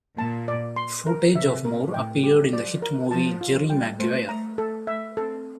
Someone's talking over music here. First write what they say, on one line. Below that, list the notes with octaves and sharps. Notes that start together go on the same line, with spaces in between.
Footage of Moore appeared in the hit movie "Jerry Maguire".
A#2 A5
D5
C6
A#4
C3 E5
A2 A#4
A2 G5
G3 G4
F3 D5
A#4
F3 A5
F4
G3 G5
A3 C5
A3 A#5
A3 A4
A3 E5
C4 A4